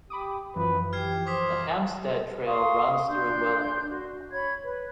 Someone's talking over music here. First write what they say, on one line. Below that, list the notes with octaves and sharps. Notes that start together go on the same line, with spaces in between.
The Hamstead trail runs through Wellow.
G4 B5 D6 D#6
F#2 E3 F3 B4
G4 F6 G#6 C7
C5 D6 D#6 B6
F5 C6 C#6 D#6
D4 C6 G6
F#4
C#5 B5 G#6
B4